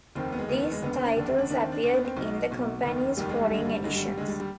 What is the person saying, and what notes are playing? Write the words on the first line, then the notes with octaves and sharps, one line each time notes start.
These titles appeared in the company's foreign editions.
F1 D#2 D#3 C4
B3
G#3
F1 D#2 D#3 B3
B3
G#3
F1 D#2 D3 B3
C4
D4
F1 D#2 D3 D4
C4
D4
D#2 D#3 D4
C4
D4
D#2 D#3 D4
B3
C4
B1 B2 D#4
B1 B2
F1 D#2 D#3
F1 D#2 D#3 G3
G#3
G3
G#1 G2 D3 G#3
G3
G#1 G2 D3 G#3
G3
G3
D#2 D3 G#3
G3
G3